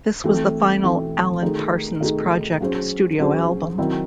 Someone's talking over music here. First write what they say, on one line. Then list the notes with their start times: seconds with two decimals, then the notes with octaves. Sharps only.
This was the final Alan Parsons Project studio album.
0.24 E3 A3 C4
0.83 E3 A3 C4
1.42 D#3 A3 D#4 G#4
2.01 D#3 A3 D#4 G#4
2.61 F#3 C#4 G#4 C5
3.19 F#3 C#4 G#4 C5
3.78 D#3 F#3 C4 E4